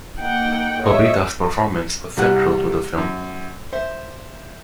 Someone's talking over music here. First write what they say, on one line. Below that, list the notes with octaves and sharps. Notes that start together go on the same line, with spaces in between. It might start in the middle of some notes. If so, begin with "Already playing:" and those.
Bobita's performance was central to the film.
A#3 D#4 F#5 G5
C#5 D#5 E5
C2 G3 F#5 F#6
F#2
C5 E5